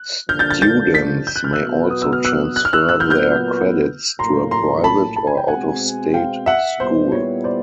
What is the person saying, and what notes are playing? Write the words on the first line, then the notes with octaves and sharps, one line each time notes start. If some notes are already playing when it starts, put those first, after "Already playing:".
Students may also transfer their credits to a private or out-of-state school.
Already playing: F#6
G2 D3 F3 A#3 D4 F6 G6
G6 A6
G6 A6
G6 A6
A6 B6
G6
F#6
F6
E6 F#6
B2 F#3 B3
D#6
E6
F6
E6 F#6
F#6
F6
E6 F#6
A#2 F#3 B3 E6 F#6
F6 G6
F6 G6
A#1 A2 F#3 A#3 A#5 C6
A#5 C6
A5 B5
A5
G#5
G5
B2 G#3 C4 F#5 G#5
F5 G5
E5 F#5
A#2 G3 B3 E4 C5
C#5
C5 D5